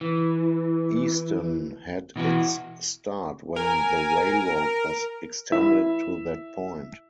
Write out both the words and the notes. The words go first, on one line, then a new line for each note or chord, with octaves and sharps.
Easton had its start when the railroad was extended to that point.
E3
B2 E3 F#4
A#4 G#5
E4 E5